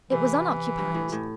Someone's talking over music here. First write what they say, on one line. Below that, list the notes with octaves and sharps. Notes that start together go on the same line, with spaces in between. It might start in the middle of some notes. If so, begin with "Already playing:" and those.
It was unoccupied.
C3 E3
G2
A2
A2